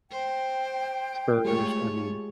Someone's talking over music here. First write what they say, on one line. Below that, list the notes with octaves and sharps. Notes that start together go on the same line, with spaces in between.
Spurs, I mean
C5 G5
G#3 A3 F4 G4 G#4 C#5